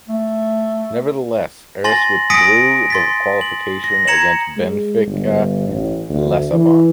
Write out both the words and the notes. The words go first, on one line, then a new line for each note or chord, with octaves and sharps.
Nevertheless, Aris withdrew in the qualification against Benfica Lissabon.
A3
G#5 C6 A6 A#6 F#7
G#5 D#6 A#6 B6 C#7 D7
C6 A6 B6
F#7
A#6
A#5 G#6 C#7 E7 F#7
G#3
G1
A1
D2
E3